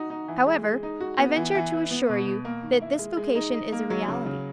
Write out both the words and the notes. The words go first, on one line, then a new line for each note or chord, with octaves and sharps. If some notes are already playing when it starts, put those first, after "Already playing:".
However, I venture to assure you that this vocation is a reality.
Already playing: D#4 F#4
D#4
E3
G#3
G#3
D#4
F#4
B3
E3
E3
E3
B3
B2
B2
A#3
D#3
E4
G#3
G#3
D#4
D#4
A#3
F#3
C#3
C#3